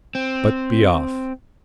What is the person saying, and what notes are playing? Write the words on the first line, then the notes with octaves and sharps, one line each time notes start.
But be off!
C4